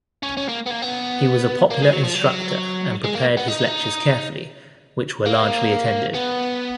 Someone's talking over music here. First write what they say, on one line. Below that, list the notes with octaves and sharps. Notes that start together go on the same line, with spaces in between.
He was a popular instructor and prepared his lectures carefully, which were largely attended.
C#4
C#4
A#3
B3
A#3
B3
A#3
G#3
F#3
F3
F#3
G#3
A#3
B3
D#4
A#3
B3